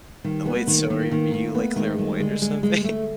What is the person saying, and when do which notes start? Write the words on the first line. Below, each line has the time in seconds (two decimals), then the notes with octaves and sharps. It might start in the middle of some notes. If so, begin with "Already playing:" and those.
Wait, so are you, like, clairvoyant or something?
0.24 D#3 G3
0.46 A#3 B3
0.57 A3
0.67 D#3
0.90 D#3 A#3
1.11 D#3 A#3
1.33 D#3 A3
1.55 A3 B3
1.76 D#3 G#3
1.98 D#3 G3
2.20 D3 G#3
2.42 G#3
2.63 G#3
2.84 A3